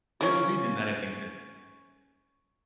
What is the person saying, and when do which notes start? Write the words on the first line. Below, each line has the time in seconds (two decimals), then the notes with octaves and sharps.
There's a reason that I think this.
0.21 A#3 C#4